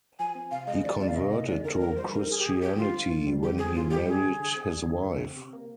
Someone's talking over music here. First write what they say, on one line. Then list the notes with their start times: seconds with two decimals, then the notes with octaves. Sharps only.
He converted to Christianity when he married his wife.
0.19 F3 G#5
0.35 C4
0.51 C3 F5
0.67 G#3 D#5
0.83 F3 D5
1.00 C4 D5
1.08 F5
1.16 C3 D#5
1.32 G#3 D#5
1.48 D3 D5
1.65 A#3 A#4
1.80 F2 A#4
1.97 G3 C5
2.13 D3 A#4
2.29 A#3 G#4
2.39 G4
2.45 F2 G#4
2.62 G3 G4
2.77 D3 F4
2.94 C4
3.10 G2
3.27 G3
3.42 D3 G4
3.58 C4 G#4
3.74 G2 F4
3.90 G3 G4
4.07 G3 G#4
4.23 D3
4.40 D3
4.56 C4
4.72 G3
4.88 D3
5.04 D3
5.21 C4
5.36 C3
5.53 A#3